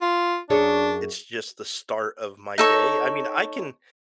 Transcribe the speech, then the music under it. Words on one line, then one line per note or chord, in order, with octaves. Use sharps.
it's just the start of my day. I mean, I can
F4
F#2 D4 G#4 C#5
D#4 A4 C#5